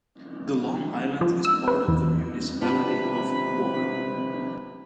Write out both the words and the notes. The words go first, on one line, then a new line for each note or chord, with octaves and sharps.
The long island is part of the municipality of Guiuan.
F3
E6
B4
E2
C3 B3 D4 F4 B4 B5